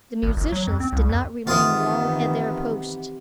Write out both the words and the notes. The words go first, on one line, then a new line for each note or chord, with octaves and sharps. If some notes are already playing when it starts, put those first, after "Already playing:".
The musicians did not remain long at their post.
G#1
G1
F#3
F2
C4
C2
F2
C3 D#3 E3 B3 F4 D#6